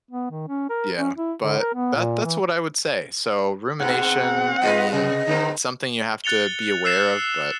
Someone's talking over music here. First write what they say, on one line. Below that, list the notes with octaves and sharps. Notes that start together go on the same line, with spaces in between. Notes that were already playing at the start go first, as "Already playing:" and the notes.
Yeah. But that that's what I would say. So, rumination, I mean, it's something you have to be aware of, but
B3
D#3
C#4
A#4
C#4
E4
D3
A#4
B3
A#2
E3
G#2 B3 C4 F#5
F4 G#4 B4 D#5
C3 D#5
D3 A#3 C4
F#6 A6 C#7 F7 G7
E6 F#6 C7 E7